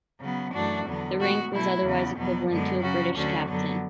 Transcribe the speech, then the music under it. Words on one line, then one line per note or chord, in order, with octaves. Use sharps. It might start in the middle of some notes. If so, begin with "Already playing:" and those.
The rank was otherwise equivalent to a British captain.
C#3 F#3 B3
F#2 E3 A3 D4 F#4
E2 D3 F#3 B3
A2 G#3 B3 F#4
B2 F#3 A3 E4
E2 C#3 E3 B3
E2 B2 F#3 B3
F#2 D3 G#3 B3
C#3 F#3 C#4 F#4
D2 D3 F#3 C#4 F#4
F#2 D3 F#3 B3